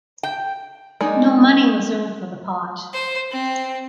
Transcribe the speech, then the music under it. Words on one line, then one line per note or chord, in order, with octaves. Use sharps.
No money was earned for the pot.
G5
G#3 A#3 D4 D#4
C5
C4